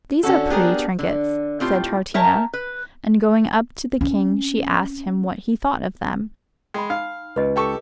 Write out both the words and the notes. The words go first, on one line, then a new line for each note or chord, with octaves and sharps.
"These are pretty trinkets," said Troutina; and going up to the king she asked him what he thought of them.
D3 C#4 F#4 A4
B3 D4 G4 G#4 A#4
D3
A2 C4 F4 G4
A#4 C#5 E5 G5 A5 A#5
B4
C4 C#4
G#3 G5 B5
D#4 F5
C#2 B4 D#5
G4 A4 C#6